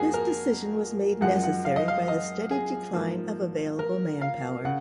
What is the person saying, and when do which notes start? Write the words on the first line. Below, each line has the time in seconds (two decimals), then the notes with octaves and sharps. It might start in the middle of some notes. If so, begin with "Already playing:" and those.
This decision was made necessary by the steady decline of available manpower.
Already playing: F2 F3 A#3 F#4 G#4
0.14 A#4
1.21 F#2 F3 G#3 F#5
1.43 F#5
1.65 F5
1.76 D#5
1.88 F5
2.08 D#5
2.51 G#4
2.93 G#2 F3 A#3
3.79 A#4
4.21 F5
4.65 C#3 F#5